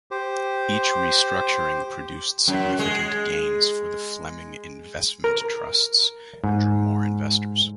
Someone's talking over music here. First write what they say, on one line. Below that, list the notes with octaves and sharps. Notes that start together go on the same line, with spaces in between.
Each restructuring produced significant gains for the Fleming investment trusts and drew more investors.
G4 C5
F#2
G#3
A#4
G#2